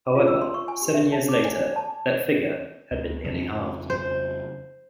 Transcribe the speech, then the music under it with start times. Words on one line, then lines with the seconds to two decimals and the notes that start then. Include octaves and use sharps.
However, seven years later that figure had been nearly halved.
0.15 F4
0.28 E6
0.42 C6
0.54 C#6
0.68 G#5
0.82 G4
0.94 E5
1.12 A5
1.29 D6
1.45 G#5
1.59 D5
1.76 A5
2.91 D2
3.25 F2 C#3 F3
3.90 C5